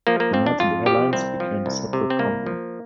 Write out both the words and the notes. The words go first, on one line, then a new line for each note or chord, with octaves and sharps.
United Airlines became a separate company.
F3 A#3
A#3
F2 C4
D4
F2 F4
F3 G4
C2 C4
F3
C2
C3
C4
C2 A#3
F3